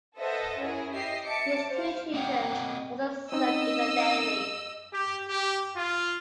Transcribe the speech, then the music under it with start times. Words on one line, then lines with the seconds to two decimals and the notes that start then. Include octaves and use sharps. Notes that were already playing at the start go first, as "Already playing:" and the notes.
His two children also served in the Navy.
0.19 A4 B4 C5 D#5 E5 F#5
0.61 C#4 E4 G#4 A#4
0.93 G4 D#5 E5 C7
1.26 E5 A5 D6 C#7
1.68 C5 F5
2.13 A#3 C4 D#5 F#5 G5
3.32 C4 C#4 D#4 D#5 E6
4.92 G4
5.28 G4
5.76 F4